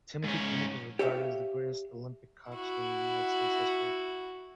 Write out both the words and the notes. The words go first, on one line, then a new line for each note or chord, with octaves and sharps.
Timothy Camp is regarded as the greatest olympic coxswain in the United States history.
G#2 C#4
G4 C#5 E5 F5
E4 F#4